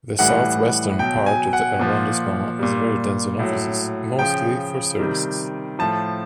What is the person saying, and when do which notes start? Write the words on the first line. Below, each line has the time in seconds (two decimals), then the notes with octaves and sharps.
The southwestern part of the arrondissement is very dense in offices, mostly for services.
0.19 A2 E3 G3 F#5
0.99 B2 F#3 G5
1.26 G#5
1.53 F#5
1.79 A#2 F3
2.59 A#2 G3
3.39 A2 F#3
4.19 C#3 F3 G5
4.99 C3 D#3 G3
5.79 A2 F3 A5